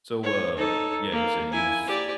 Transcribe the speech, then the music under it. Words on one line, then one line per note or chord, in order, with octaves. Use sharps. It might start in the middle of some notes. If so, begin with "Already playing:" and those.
So, uh, yeah, you said you use
C#5
D#4 A4
A#3
E4 G#5
G4 D5